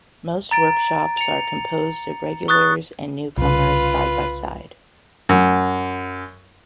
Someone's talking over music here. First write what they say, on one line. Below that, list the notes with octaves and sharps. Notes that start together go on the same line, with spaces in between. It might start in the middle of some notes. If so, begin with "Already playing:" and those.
Most workshops are composed of regulars and newcomers side-by-side.
A#5 A6 D7
C#7 F7
C#6 D#6 F#6 A6
C2 C#3 F4 B4
F#2